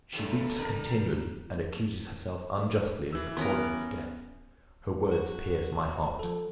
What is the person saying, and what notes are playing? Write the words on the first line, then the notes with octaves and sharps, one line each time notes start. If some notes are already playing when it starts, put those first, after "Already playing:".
She weeps continually, and accuses herself unjustly as the cause of his death; her words pierce my heart.
F#2 C#3 E3 G4 A4 B4 A#5
E2 C#3 G3 D4 A#4
E3 E6
B3 C#4 A#4
F#4
F3 A4